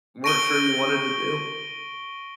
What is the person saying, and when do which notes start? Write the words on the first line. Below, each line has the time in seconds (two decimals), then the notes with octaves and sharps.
weren't sure you wanted to do?
0.24 C#6 A#6 D7 D#7 G7